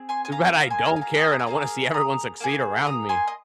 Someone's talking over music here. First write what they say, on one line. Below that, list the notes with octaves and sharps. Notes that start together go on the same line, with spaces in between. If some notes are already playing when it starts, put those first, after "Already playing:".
Too bad I don't care, and I wanna see everyone succeed around me.
Already playing: C4 G#4
G#5 C6
G#5
F5 A#5
A#3 G#4 F5 A#5
G#5 C6
F5 A#5
G#5
F5 A#5
D#5 G#5
A#5
G#5
A#3 F4 G#4 F5 A#5
A#5 D#6
A#3 F4 G#4
A#5 D#6
G#5 C6
D#5